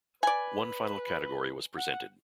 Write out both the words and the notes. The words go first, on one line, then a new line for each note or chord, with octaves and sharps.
One final category was presented.
B4 D5 G#5
F#5